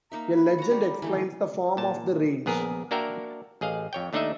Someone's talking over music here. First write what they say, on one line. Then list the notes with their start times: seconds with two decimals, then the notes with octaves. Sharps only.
A legend explains the form of the range.
0.12 A#3 D#4 E5 A#5
0.34 B5
0.58 F#4 A#5
0.71 G3
1.02 E3 A3 D#4
1.77 A#2 A5
2.46 A#1 B3 G#4 A#4
2.91 A#3 D4 F#4 A#4 E5 G5
3.61 A1 G#4 D#5 F5
3.93 F2 C#5 G5
4.13 D#2 A3 D4 D#4 D#5 E5